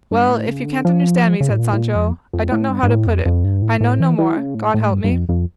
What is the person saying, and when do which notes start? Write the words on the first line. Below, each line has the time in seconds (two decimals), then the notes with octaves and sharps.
"Well, if you can't understand me," said Sancho, "I don't know how to put it; I know no more, God help me."
0.11 G2
0.28 A2
0.48 C#3
0.66 D3
0.85 F3
1.41 C#3
1.50 A2
1.59 A#2
1.73 A2
1.77 A#2
1.95 F2
2.33 F2
2.52 A2
2.70 G2
2.83 G2
2.89 A2
3.07 F2
3.26 F2
3.44 G2
3.62 A2
3.81 A2
4.00 E3
4.18 E3
4.37 C#3
4.55 A2
4.74 A2
4.92 G2
5.04 G2
5.11 F2
5.29 F2